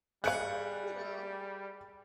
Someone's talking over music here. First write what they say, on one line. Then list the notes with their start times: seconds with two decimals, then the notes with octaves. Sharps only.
You know?
0.24 G3 G#4 C5 F5 F#6 C#7